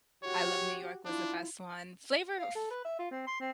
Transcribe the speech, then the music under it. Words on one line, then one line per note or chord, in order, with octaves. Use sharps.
I Love New York was the best one. Flavor Fl
F#4 G4 C#5
D4 E4 F4
F5
A4
B4
E5
F4
C4
C6
C4